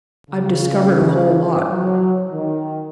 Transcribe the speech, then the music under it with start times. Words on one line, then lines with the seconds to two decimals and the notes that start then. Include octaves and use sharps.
I've discovered a whole lot.
0.30 C#3
1.68 F#3
2.33 D#3